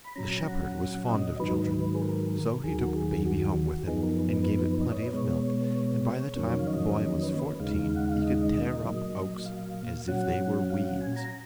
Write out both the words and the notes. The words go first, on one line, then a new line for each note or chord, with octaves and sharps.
The shepherd was fond of children, so he took the baby home with him and gave it plenty of milk, and by the time the boy was fourteen he could tear up oaks as if they were weeds.
B5
A#2 F#3 C#4 A#5
A#5
F#5
D#5
G#2 D#3 F#3 B4
G#4
A#4
D#2 D#3 F#3 G#4
F#4
A#4
G#4
F#4
F#4
F#2 F3 B3 D#4 G#4
A#4
B4
D#5
C#5
B4
B2 G#3 B3 C#5
C#5
F2 D#3 F#3 A#3 C#4
F5
D#5
B4
C#5
B4
D#2 C#3 G#3 D#4 F5
F5
F#5
F5
D#5
A#2 F#3 A#3
F5
A#2 F#3 C#4 F#5
F5
F#5
G#5
A#5